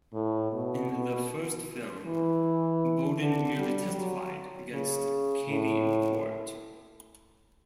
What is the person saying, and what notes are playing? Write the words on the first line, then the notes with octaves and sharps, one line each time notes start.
In the first film, Bowden merely testified against Cady in court.
A2
B2
B2
E3
D3
G3
F#3
C#3
A2